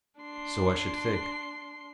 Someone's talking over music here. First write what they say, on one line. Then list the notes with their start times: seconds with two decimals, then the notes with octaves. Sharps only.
"So I should think."
0.20 D4 C6